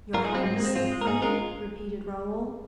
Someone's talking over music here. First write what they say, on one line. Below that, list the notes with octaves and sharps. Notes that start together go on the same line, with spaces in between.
"Your highness sent for me?" repeated Raoul.
G#2 F4 A#4
D#4 G#4
G#3 C4 F4
G#2 C4
A#3
G#3 C4
G#2 C4 F4
G#3
A#4
G#2 D#4 G#4
G#3 F4 A#4